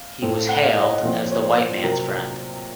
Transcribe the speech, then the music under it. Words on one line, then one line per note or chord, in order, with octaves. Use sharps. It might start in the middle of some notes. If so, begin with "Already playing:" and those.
He was hailed as the "Whiteman's Friend".
Already playing: F5
A2 A3 C4
F#5
F5
D#5
C#5
A#2 F3 C4
C#5
C5
C3 F#3 C4 A#4